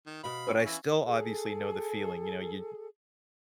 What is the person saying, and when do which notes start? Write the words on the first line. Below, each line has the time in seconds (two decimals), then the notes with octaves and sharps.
but I still obviously know the feeling, you know, you'd
0.06 D#3
0.24 B2 F5 B5
0.47 C#4
0.66 E3 E4
1.03 G#4 A4